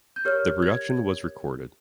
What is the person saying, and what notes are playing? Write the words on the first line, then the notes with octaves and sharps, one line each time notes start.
The production was recorded.
G6
G4 A#4 C#5 F6
G#6